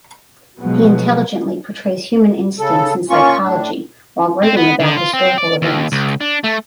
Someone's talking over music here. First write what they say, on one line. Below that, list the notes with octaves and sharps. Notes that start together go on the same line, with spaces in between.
He intelligently portrays human instincts and psychology while writing about historical events.
B2 F3 F#3 G#3 B3
C#3 A4
A#3 C#4 F4 C#6
A2 D4
C4
B3
D3
F4
C4
D5
D#2
C#2
D4
A3